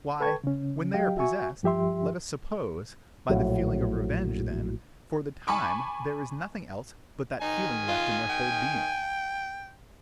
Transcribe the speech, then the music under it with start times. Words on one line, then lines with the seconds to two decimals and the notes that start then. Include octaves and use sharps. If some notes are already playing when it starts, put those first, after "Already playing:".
Why, when they are possessed, let us suppose, by the feeling of revenge, then for the time there is nothing else but that feeling left in their whole being.
0.20 A4 B4 G5 A5 C#6 G#6
0.44 C#3 C#4
0.94 F#3 G4 D#5 F5 G5
1.17 F#4 E5 G#5 C#6
1.63 G2 F3 G4 E5 C6
3.29 A#1 A2 F#3
5.47 G#5 A5 B5 C#6 D6
7.41 D#3 D#4 G#5
7.88 F4
8.29 G5